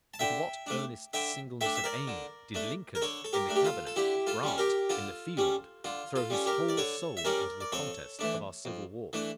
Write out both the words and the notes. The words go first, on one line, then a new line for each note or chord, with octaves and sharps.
With what earnest singleness of aim did Lincoln in the cabinet, Grant in the field, throw his whole soul into the contest of our civil war?
A5
D3 E5 G5
A3 D4
D3 E5 G5
A3 D4 E5 G5
E5
A#4 D5
D3
A3 D4
A#4
D3 A4 C#5
A4
G4 A#4
A3 D4
G4
F4 A4
A4
D3 E4 G4
F4 A4
G3 C#4
G4 A#4
D3 F4 A4
G3 C#4
D3 F4
F4 A4
G3 C#4
G4 A#4
D5
D3 A4 C#5
E5
G3 C#4 A#4 D5
D5
F2 A4 C#5
E3 A3 D4
F2
E3 A3 D4